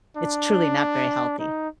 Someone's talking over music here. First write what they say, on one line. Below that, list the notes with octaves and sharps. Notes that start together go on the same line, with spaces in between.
it's truly not very healthy.
D4
D#4